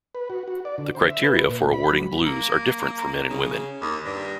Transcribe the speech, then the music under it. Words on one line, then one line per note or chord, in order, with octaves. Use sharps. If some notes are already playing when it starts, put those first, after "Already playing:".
The criteria for awarding blues are different for men and women.
B4
F#4
F#4
D5
D3
C5
E5
B4
A#2
B5
F#3
A#3
C#3
D#2
G2